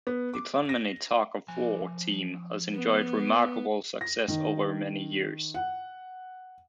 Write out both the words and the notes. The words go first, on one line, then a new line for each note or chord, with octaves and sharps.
The Clonmany Tug of War team has enjoyed remarkable success over many years.
B3
D6
A#6
F3 G#5
B3
A#6
D#3
F#5